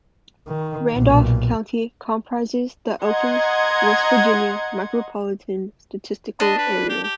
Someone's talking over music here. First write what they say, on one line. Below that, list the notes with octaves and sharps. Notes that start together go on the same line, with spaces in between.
Randolph County comprises the Elkins, West Virginia, Micropolitan Statistical Area.
D#3
B1 A#2
D#5 F#5 A#5 C6 G#6
D4 D#5
B4
G4
G4